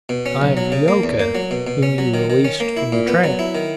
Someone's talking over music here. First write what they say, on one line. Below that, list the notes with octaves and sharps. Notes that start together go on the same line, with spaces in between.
I am Neeoka, whom you released from the trap.
B2
C#4
B1
F#3
C#3
A#3
E2
A#3
F#3
B2
B2
C#4
F#3
D#3
D#3
C#4
A#3
E4
A#2
B3
F#3
E4
D#3